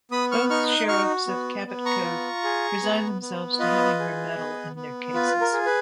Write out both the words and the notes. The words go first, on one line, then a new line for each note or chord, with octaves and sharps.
Both sheriffs of Cabot Cove resign themselves to having her meddle in their cases.
B3 B5 D#6
C#6 F6
D#4 C#6 F6
D#6 F#6
F#4 C#6 F6
B3
B3
A#5 C#6
F4
G#4
B3
B3
F4 B4 D#5
G#4
B3
B3
F4 B4
A#4
G#4
B4